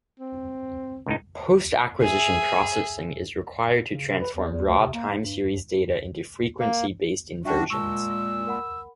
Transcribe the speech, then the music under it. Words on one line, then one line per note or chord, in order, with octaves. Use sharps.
Post-acquisition processing is required to transform raw time-series data into frequency-based inversions.
C4
C#2 A2 D#4
G#4 E5
C#3
C3
B4
E2
E2
D2
C3
A#3
G#2
G2
A#3
G3 C#4 D4 F#4 E5 G5 A5
A#2 G#3 A5 C#6 E6
A#4 F#5 B5